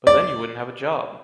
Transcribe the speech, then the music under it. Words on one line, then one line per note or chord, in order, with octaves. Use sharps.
But then you wouldn’t have a job.
D5